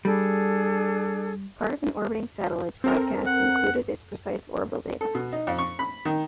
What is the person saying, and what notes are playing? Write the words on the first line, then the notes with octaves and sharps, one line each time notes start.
Part of an orbiting satellite's broadcast included its precise orbital data.
G3 D4 G#4 A4
C4 A4 A#4
F#5
A4
B2
D#4
F2
C#6
B5
D#3